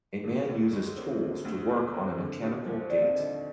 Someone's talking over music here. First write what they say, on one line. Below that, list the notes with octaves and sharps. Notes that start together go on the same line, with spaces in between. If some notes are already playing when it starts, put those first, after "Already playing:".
A man uses tools to work on a mechanical gate.
D3 A#4
D2 G#4
G#3 G4
G#4
C4 A#4
G4
G#4
D3
D2
G#3 G#4
C4 A#4
D3
D#2 G4
F3 C5
C5
C4 D5
F5
D3 D#5